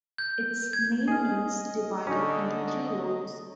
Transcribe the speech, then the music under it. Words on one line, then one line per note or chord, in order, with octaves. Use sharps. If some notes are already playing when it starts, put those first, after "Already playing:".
Its name means 'divided into three lobes'.
G6
G#6
G#4 D#5 G#5 F6
D3 C#4 D#4 G#5 C#6 D6